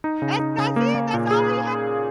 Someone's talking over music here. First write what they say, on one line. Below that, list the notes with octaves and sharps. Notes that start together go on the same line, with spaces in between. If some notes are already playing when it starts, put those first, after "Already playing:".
that's that's it! That's all he
D#4
C#3
D#4
C#3
A#3
A#3
A#2
G#4